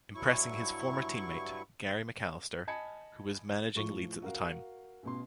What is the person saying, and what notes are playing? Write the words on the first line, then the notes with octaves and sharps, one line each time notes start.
Impressing his former teammate Gary McAlliser who was managing Leeds at the time.
G2 F#3 E4 C#6
D#5 G#5 A5 B5 G#6 C#7
A2 F3 C#6 G7
F#4 A#4 F5
A1 B2 C6